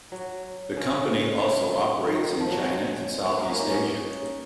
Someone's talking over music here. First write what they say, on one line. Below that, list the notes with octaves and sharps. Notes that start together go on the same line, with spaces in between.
The company also operates in China and Southeast Asia.
F#3
C#3
D#3
F3
F#3
G#3
B3
A#3
C#4
D#4
C#4